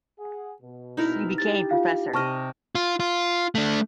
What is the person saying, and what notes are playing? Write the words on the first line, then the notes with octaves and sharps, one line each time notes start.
She became professor.
G#4 F#5
B2
D#4 E4 A#4
G4 A6
F4 F5
C3 D#5 A5 C#6 F6
F4
F4
A3 D4